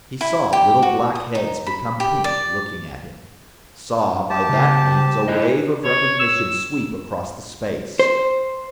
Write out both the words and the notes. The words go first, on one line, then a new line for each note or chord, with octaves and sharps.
He saw little black heads become pink, looking at him, saw by that means a wave of recognition sweep across the space.
E4
G4
F#4
D#6
D#4
B5
G4
D5
G4 A5
C#3 C5
E4 C5 D#5
C#5
E6
C5